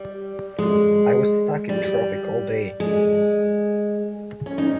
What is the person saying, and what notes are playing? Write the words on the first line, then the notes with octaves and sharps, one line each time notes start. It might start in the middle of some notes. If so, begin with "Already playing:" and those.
I was stuck in traffic all day!
Already playing: G3
G#3
G3
G#3
C#4
D#4